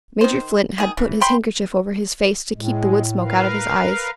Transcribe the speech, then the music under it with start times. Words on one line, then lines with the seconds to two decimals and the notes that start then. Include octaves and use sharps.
Major Flint had put his handkerchief over his face to keep the wood- smoke out of his eyes.
0.21 D#3 C5
0.78 D#3 G#4
0.97 E3
1.21 G5 B5 C6
2.55 A2 G#3
3.22 A#4 B4 F5